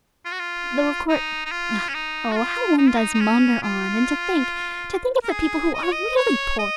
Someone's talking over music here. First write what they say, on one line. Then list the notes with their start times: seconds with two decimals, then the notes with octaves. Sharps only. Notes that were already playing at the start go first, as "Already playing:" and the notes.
Though of course--Oh, how one does maunder on, and to think, to think of the people who are really poor.
0.25 F4
0.32 F#4
0.39 F4
1.09 D#4
1.45 D#4
1.51 F4
1.89 C#4
1.94 D#4
2.31 F#4
2.36 F4
2.78 D#4
2.88 F4
2.98 D#4
3.14 D#4
3.20 C#4
3.63 F4
5.23 A#4
5.32 G#4
5.74 D#5
5.83 C#5
5.92 D#5
6.16 C#5
6.59 D#5